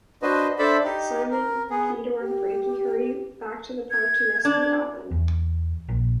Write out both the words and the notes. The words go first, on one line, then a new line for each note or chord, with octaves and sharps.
Simon, Theodore, and Frankie hurry back to the park to rescue Alvin.
D4 F#4 B4 C5 D#5
D4 A4 C5 D5 E5 B5
D#4 G4
A#4
B3 G#4
G4
G#6
D4
E2
A#1